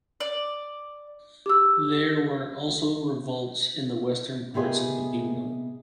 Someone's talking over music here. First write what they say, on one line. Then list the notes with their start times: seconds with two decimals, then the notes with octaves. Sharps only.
There were also revolts in the western parts of the Kingdom.
0.20 D5
1.46 G4 E6
4.54 C3 B3 G4 G#4 D#5